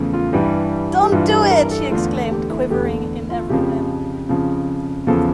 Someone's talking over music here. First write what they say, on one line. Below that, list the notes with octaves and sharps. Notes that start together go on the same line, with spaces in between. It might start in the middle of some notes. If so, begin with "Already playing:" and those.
'Don't do it!' she exclaimed, quivering in every limb.
Already playing: E2 C#3 F3 A3
F4
G2 E3 G3 G4
G4
G2 E3 G3 F4
G4
A#4
A4
E2 D3 A3 F4
G4
E4
E2 D3 A3 G4
F4
F2 C#3 F3 G4
F2 C#3 F3
E2 C#3 F3 A4